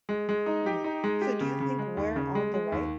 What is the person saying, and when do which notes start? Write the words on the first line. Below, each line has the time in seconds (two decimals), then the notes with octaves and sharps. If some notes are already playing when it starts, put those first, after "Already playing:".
Mm. So, do you think we're on the right?
0.09 G#3
0.29 G#3
0.46 D#4
0.66 G4
0.84 D#4
1.04 G#3
1.22 G4
1.41 C#3
1.60 C#3
1.79 G#3
1.97 D#2
2.16 C#3
2.35 G#3
2.54 G#3
2.72 D#2